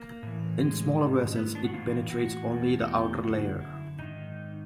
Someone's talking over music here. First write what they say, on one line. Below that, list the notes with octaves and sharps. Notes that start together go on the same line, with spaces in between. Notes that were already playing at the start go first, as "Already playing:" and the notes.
In smaller vessels it penetrates only the outer layer.
Already playing: A#3
A2 E3
G#3
G#2 D#3
B3
D4
F#4
A2 E3 F4
F#4
E2 B2
F#4
G4
F#2 D3 F#4
E4
G#2 D#3 D#4